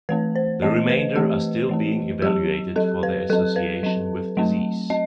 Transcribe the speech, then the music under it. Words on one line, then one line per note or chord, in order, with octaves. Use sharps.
The remainder are still being evaluated for their association with disease.
E3 A3 C4 B4
C5
E3 A3 C4 D#5
B4
E3 A3 C4 G4
E3 A3 C4
F#3 C4 G4
F#3 C4 A4
B4
F#3 C4 A4
B4
F#3 C4
F#3 A3 C4
C4 D#5